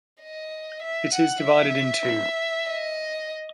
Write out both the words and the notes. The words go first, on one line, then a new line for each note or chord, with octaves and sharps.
It is divided in two.
D#5
E5
F#5
E5
D#5